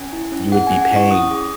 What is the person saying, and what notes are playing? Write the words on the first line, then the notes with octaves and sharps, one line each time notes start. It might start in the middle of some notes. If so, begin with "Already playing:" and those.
you would be paying,
Already playing: C#4 G#5
E4
C#4
G#4 F#5
C#4 G#5
F#5
E4
C#6
C#4 D#6
G#4